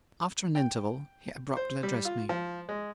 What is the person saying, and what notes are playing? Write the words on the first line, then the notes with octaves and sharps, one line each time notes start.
After an interval, he abruptly addressed me.
G5
C5
G3
F4
F3
G#3